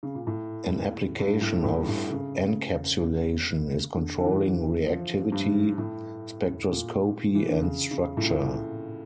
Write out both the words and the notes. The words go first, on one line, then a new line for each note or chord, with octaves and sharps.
An application of encapsulation is controlling reactivity, spectroscopy, and structure.
C#3
A#2
A2
G2
A2
A2
G2
A2
C#3
D3
D3
E3
F3
G2
A2
A#2
E3
D3
C#3
C#3
A2
A#2